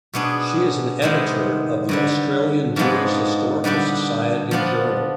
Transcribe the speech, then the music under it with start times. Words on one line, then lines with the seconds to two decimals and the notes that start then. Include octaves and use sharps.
She is an editor of the "Australian Jewish Historical Society Journal".
0.14 B2 B3 D4 G#4
1.02 C3 D#3 G#3 B3
1.89 G2 D3 G3
2.76 G#2 F3 G#3 B3 D4
3.64 D3 G3 B3 D4 G4
4.51 F3 B3 D4